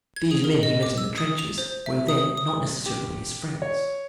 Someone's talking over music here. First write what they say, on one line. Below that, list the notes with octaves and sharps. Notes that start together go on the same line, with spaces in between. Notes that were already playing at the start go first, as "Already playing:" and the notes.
These men he met in the trenches were then not necessarily his friends.
G#6
G#4
A#4
D#5
D6
E6
D#6
F7
C5
E5
D#6
D#6
G4
C#5